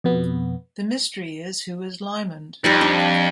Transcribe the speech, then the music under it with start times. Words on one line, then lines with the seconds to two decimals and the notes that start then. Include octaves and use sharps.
The mystery is who is Lymond?
0.04 F2 B2 B3
2.64 F2 G3 D#4 B5
2.81 D4